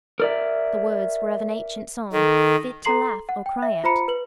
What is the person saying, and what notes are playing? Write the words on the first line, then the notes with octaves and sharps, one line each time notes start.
The words were of an ancient song, fit to laugh or cry at.
A#4 D5 E5
D#3 A4
A4 A#5 C6 C7 F#7
F#5
G5
E5
F4 C5 A#5 B5 C#7
B4 F#7